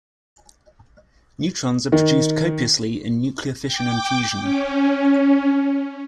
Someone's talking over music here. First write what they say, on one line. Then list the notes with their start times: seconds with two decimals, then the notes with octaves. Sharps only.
Neutrons are produced copiously in nuclear fission and fusion.
1.92 D#3
3.67 G5 D6
4.41 C#4